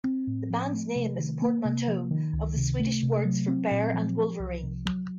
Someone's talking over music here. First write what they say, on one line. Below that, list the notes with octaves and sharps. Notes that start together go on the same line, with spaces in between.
The band's name is a portmanteau of the Swedish words for bear and wolverine.
C4
A2
F3
A3
C3
D#3
A#3
C3
F3
D#3
C#2
C3
A3
C3
F#3
C4
A#2
F3
F3
C2
C3
F#3